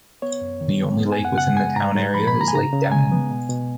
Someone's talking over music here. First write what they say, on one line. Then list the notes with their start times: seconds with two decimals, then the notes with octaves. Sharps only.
The only lake within the town area is lake Demmin.
0.22 B3 C#5
0.41 F#2
0.61 D#3
0.80 F#3
1.00 B3
1.12 G#5
1.19 F#2
1.25 F#5
1.38 C#3 F#5
1.57 G#3 G#5
1.76 G#2 A#5
1.95 G#2
2.14 F3 B5
2.28 B5
2.34 A#3
2.41 A#5
2.48 G#5
2.54 C#3 A#5
2.72 C#3
2.92 G#3 G#5
3.12 B3
3.31 B2
3.49 B2